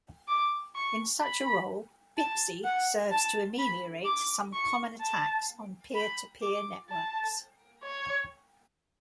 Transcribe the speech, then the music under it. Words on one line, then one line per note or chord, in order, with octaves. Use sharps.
In such a role, Bitzi serves to ameliorate some common attacks on peer-to-peer networks.
D6
C#6
B5
A5
F#5
A5
B5
D6
C#6
A5
B5
D6
A5
C#5